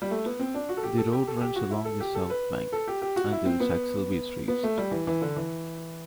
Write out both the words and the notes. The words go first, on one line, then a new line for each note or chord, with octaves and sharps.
The road runs along the south bank, until Saxilby is reached.
G3
A3
B3
C4
D4
F#4
A4
G4
A4
G4
A4
G4
F#4
E4
A4
G4
A4
B4
A4
G4
G4
F#4
E4
C4
B3
B3
A3
G3
E3
E3
D3
E3